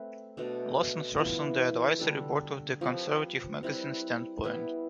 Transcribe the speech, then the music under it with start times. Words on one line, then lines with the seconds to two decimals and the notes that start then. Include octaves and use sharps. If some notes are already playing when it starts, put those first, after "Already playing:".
Lawson serves on the advisory board of the Conservative magazine "Standpoint".
Already playing: A3 C4 B4
0.37 B2 A3 D4 A4
1.18 E3 B3 F4 B4
1.99 D3 G3 D4 A4
2.81 F3 C4 G4 B4
3.63 G3 C4 E4 B4
4.44 G3 B3 E4 B4